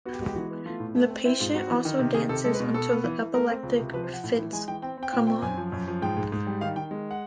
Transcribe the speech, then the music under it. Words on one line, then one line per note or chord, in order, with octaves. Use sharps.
The patient also dances until the epileptic fits come on.
B3 F#4
G4
G#3 F#4
G4
E3 F#4
B3
A3 F4
A2
A3
C4
C4 E4
G#2 F4
C4 F#4
E3
D#3
C3
D#3 G#4
C3 A4
G#3 A4
B4
B2
B2 A4
B3
E3
E3
A3 A#4
C4
C#2
C3
F3 B4
C5
F3
F#5
A2
E3
G#3 G#5
E3 G5
C4 G5
C4
G5
A#2 G5
C4 G5
F#2 G#5
F3
F#2
F3
G#2 G5
G#2
G#2
G3
D#3 F5
D#3 G5
G#3
F#5